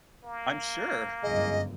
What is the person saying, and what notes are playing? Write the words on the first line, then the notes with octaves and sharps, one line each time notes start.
I'm sure!
A#3
G1 C#2 F#2 G#3 D#5